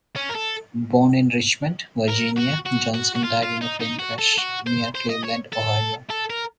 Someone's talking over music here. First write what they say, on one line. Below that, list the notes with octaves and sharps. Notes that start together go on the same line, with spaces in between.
Born in Richmond, Virginia, Johnson died in a plane crash near Cleveland, Ohio.
C#4
A#4
A4
A#4
F#4
F#4
F#4
F#4
F4
F4
D#4
D#4
F#4
A4
F#4
C5
C5
D#5
C#5
A4
A4
A#4